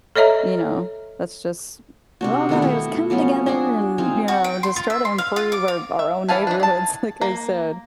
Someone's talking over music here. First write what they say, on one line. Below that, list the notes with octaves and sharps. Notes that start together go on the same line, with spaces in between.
you know, that's just "Well, gotta just come together and, you know, just try to improve our our own neighborhoods." like I said.
A4 C#5 D#5 E5 A#5
C3 D4 F#4
D#3 A3 B3 E4
B2 E4
F3 F#3 B3 C#4
D4 F#4 G#4 D5
C4 D#4 F4 G#4
F#4
G5
C6
F4
E5
C6
F5
F4
D6
F5
E5
E3 G#4 F5 G#5 A5
E3 D4
G#4 A5
A#3